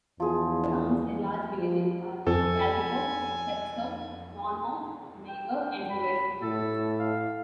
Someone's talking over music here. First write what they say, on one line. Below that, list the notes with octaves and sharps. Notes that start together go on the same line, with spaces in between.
Other towns and large villages are Caldicot, Chepstow, Monmouth, Magor and Usk.
E2 F3 G#4
F3
F2 A4 G#5
G5
B5
A2 A4
F5